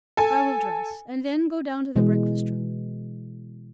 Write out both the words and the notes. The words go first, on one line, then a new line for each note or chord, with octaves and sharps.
I will dress, and then go down to the breakfast-room.
A4 G#5
B2 E3 G#3